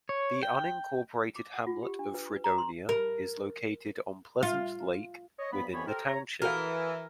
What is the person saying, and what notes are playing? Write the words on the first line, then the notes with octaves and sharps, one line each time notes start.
The unincorporated hamlet of Fredonia is located on Pleasant Lake within the township.
C#5
G5
D6
F#5
F4
G4
D4
B4
B4
A#5
C6
A#4
F4
C#5 D#5
G2 F3 F#3 B3 B5
C2 F2 E3 B3 C#5 B5
G4 A4 A#4 C5
C#5 A#5
E3 F#4 A4 A#4 F5